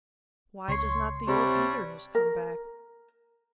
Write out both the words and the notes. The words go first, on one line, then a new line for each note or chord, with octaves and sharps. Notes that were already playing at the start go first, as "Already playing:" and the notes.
Why does not the old eagerness come back?
C#2 C#5 C6
C3 G3 D4 C#5
A#4